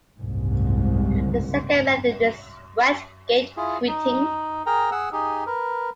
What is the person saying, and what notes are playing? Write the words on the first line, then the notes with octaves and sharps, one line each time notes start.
The second method is wet-gate printing.
F#1 C2 G#2
E4 F4 G#4
D#4
G#4 A#4 G5 A#5
G#4 F#5 E6
D#4 G4 G#4
A#4 B4